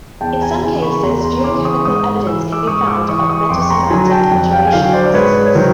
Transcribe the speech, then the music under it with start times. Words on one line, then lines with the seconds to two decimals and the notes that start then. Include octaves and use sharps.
In some cases, geochemical evidence can be found of metasomatic alteration processes.
0.21 E2 G5 A5
0.42 G#5 A#5
0.63 C#3 E3
0.82 B5 C#6
1.03 E2 A#5 C6
1.24 A#5 C6
1.44 C#3 E3 C6 D6
1.65 C#6 D#6
1.85 G#2 C#6 D#6
2.27 E3 E6
2.52 D6 E6
2.67 G#2 C#6 D#6
2.88 D6 E6
3.08 E3 C#6 D#6
3.29 C#6 D#6
3.49 F2 C6 D6
3.62 C#6
3.70 A#5 C6
3.90 D3 F#3 G#5 A#5
4.11 G5 A5
4.31 F2
4.52 F5 G5
4.67 G#5
4.73 D3 F#3 F5 G5
4.93 C5 D5
5.14 G#2 B4 C#5
5.46 C#5
5.55 D#3 F#3 A#4 C5